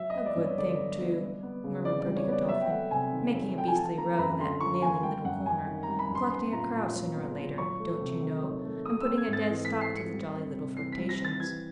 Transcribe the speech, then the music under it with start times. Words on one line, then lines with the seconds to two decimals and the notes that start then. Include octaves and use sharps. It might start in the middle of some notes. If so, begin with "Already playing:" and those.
"A good thing, too!" murmured Bertie Godolphin, "making a beastly row in that 'nailing' little corner, collecting a crowd sooner or later, don't you know, and putting a dead stop to the jolly little flirtations."
Already playing: F#3 E5
0.10 B3 D#5
0.26 D5
0.36 G2
0.42 C#5
0.57 D3 D5
0.79 F#3
1.00 B3
1.21 G3
1.43 B3
1.64 C#3
1.85 E3 D5
2.01 D5
2.06 G3
2.17 C#5
2.28 B3 D5
2.49 F#3 E5
2.61 G5
2.70 A3 F#5
2.91 C3 G#5
3.13 D#3
3.34 F#3
3.55 A3 G5
3.68 G#5
3.76 F3 A5
3.97 A#3 A#5
4.14 A#5
4.19 F#2 B5
4.40 D3 C6
4.60 F3 C#6
4.82 A#3 G#5
5.03 G3 G5
5.25 F#2 F#5
5.46 F#2 G#5
5.67 D#3
5.83 A#5
5.88 G3
5.99 B5
6.10 F#2
6.15 C6
6.23 B5
6.31 B3 C6
6.52 A#2 A#5
6.74 A#2
6.95 F#3
7.16 B3
7.37 A#2
7.58 F#3 C#6
7.80 A3
8.00 C3
8.22 D#3
8.43 F#3
8.64 A3
8.86 A3 D#6
9.01 E6
9.07 C4
9.18 G#6
9.28 G#2
9.33 A6
9.49 E3
9.65 B6
9.70 A3
9.81 C7
9.92 C4
9.97 C#7
10.14 G3
10.35 C4
10.55 C3
10.77 E3 C7
10.92 B6
10.98 G3
11.09 A#6
11.19 C4
11.25 A6
11.40 E3 G#6